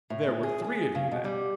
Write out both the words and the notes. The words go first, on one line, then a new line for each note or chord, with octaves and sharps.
"There were three of you, then."
A2
C#4
G#4
G#4
C#3
B2
G3